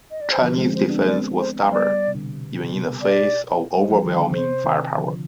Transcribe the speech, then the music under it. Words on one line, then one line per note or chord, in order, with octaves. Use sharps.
Chinese defense was stubborn even in the face of overwhelming firepower.
D#5
D5
C5
D3 F3 B4
G#3 C4
G#3 C4 C5
C4
B3 D4
B3
G#3 C4 D5
C5
G3 B3 D5
C3
B2 D3
C3
B2
D5
G3
F3
D#3
D3
C3 C5
C3 D#3
D3 F3